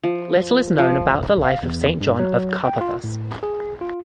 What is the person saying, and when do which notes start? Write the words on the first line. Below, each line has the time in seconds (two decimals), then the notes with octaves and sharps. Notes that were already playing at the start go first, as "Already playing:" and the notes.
Little is known about the life of Saint John of Karpathos.
0.03 F3
0.78 F3
1.44 F5
1.63 E2
2.01 G2
2.19 F#3
2.65 G5
2.81 F4
3.04 A2
3.43 G#4
3.81 F4